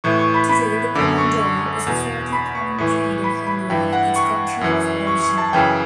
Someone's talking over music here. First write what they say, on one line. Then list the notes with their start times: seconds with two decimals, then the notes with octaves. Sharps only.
Today the Komondor is a fairly common breed in Hungary, its country of origin.
0.04 A2 E3 C#6
0.19 C#6
0.34 B5
0.49 B5
0.95 F#2 D3 D6
1.18 C#6
1.41 C#6
1.87 E2 B2
2.32 B5
2.55 C#6
2.78 A2 E3 C#6
3.24 B5
3.47 B5
3.70 G2 E3 G5
3.93 F#5
4.16 C#6
4.61 F#2 E3
5.07 C#6
5.22 C#6
5.38 A5
5.53 F#2 C#3 E3 G5